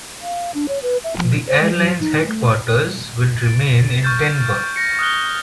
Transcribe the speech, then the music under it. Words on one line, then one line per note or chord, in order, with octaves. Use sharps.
The airline's headquarters will remain in Denver.
F5
D4
C#5
B4
E5
F3
C5
G#3
F#3
D#4
A3
A6 D7
C#6 F6 G6 A6 E7
A#6 C#7
D#6 F6 F#6 G7